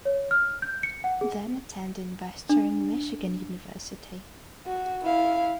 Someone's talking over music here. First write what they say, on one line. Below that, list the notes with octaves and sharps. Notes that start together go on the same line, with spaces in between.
Then attending Western Michigan University.
C#5
F6
G6
C#7
F#5
G#4
D4
F#4
E4 F5